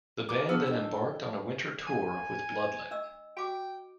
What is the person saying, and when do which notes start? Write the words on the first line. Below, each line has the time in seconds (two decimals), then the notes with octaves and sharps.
The band then embarked on a winter tour with Bloodlet.
0.29 D#3 D6
0.49 B2 D3 B3 G#4 F5 F#5 E6 F6
0.66 G2 D3 E4 D#5 G5 E6
1.87 G#5
2.91 D4 D#5 E6
3.37 F#4 G5 D6